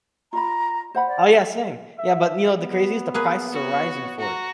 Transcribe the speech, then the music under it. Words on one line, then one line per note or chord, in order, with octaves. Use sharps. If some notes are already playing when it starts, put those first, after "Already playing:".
Oh, yeah, same. Yeah, but, you know, the craziest, the prices are rising for it.
F4 D5 A#5 B5
C5 F#5 B5
D5
E5
B3
A#3 G#4 B4
F#4 C#5
F#4 A#5